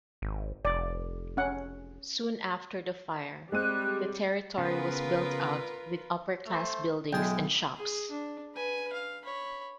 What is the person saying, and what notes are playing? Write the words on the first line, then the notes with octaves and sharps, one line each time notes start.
Soon after the fire, the territory was built out with upper-class buildings and shops.
G#1
F1 D5
C#4 F#5
G3 G#3 C4 F#6 D#7
C#3 B3 F4 A#4 B4
A3 C5
B1 G#3 E4 G#4 G5 A5
G#4
D4
B4 G#5
F5
C#5 B5